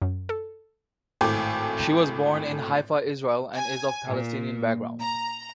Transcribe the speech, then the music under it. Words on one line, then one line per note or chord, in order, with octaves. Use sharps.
She was born in Haifa, Israel and is of Palestinian background.
F#2
A4
G#1 A2 A4 G5 G#5 D6
G#5
A#2
A#5